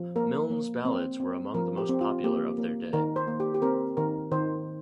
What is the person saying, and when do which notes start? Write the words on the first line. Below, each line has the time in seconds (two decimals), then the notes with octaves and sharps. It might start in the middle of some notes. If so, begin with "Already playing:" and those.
Milnes' ballads were among the most popular of their day.
Already playing: F3
0.16 A#3 A#4
0.50 A#3
0.85 C4
1.20 C4
1.54 F3 A#4
1.78 G4
1.89 C4
2.01 F4
2.24 A#3 G4
2.58 A#3
2.93 D#3 A#4
3.16 C5
3.27 A#3
3.40 G4
3.54 G4
3.62 C4 A#4
3.97 D#3 A#4
4.32 D#3 C5